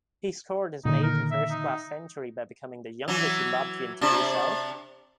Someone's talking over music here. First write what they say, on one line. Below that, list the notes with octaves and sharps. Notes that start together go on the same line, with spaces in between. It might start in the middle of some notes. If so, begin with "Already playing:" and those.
He scored his maiden first-class century by becoming the youngest Zimbabwean to do so.
A#2 D3 D#3 D#4
A#4
E5
D#4
E3 F#3
C3 D4